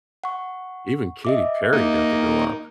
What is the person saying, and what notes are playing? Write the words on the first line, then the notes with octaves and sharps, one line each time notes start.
Even Katy Perry got to go up,
F#5 C#6
D#5 E5 D6
A#3 D#4